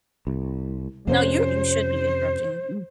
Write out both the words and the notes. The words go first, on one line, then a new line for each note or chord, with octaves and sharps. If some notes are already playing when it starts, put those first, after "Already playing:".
No, you're you should be interrupting me, mm.
C2
F2 C3 C#4 C5